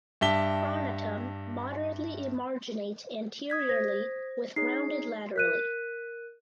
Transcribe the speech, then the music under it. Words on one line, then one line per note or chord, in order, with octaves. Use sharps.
Pronotum moderately emarginate anteriorly with rounded laterally.
G2 G4 E5 A5 B6 G7
D#6 G#6 B6
C5 A#6
D#4 G#4 C#5 C7
A#4 F#6 B6 D#7